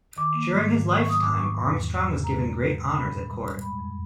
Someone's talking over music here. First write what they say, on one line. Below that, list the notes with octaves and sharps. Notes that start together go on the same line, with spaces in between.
During his lifetime Armstrong was given great honours at court.
D#3 D6
A#3
G#2
D#3
G#2
C#6
F#3
D#6
G#2 D6
D#3 C#6
E2
E2
E2
E2
G#3 A#5
B2
B2
B2
A#2 B5
A#2
G3
G3
G#3 B5
F2